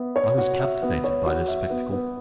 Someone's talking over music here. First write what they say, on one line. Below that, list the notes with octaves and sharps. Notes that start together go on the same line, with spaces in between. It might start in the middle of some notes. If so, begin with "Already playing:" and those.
I was captivated by this spectacle.
Already playing: B3 E5
C#5
F#4
E5
B3
C#5
F#4
E5
B3
B3